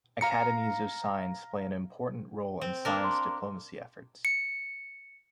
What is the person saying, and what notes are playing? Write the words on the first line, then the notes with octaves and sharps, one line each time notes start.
Academies of science play an important role in science diplomacy efforts.
F5 A#5 C#7
C4
A#3 D4 A#4
C6
C#7